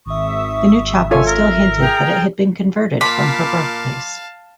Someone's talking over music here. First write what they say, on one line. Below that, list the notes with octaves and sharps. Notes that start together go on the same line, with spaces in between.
The new chapel still hinted that it had been converted from her birthplace.
G#1 E5 C#6 D#6
F4 A4 C#5 G#5
A#4
G#4 G5 A#5
A#2 F5 A5 B5 C6 D6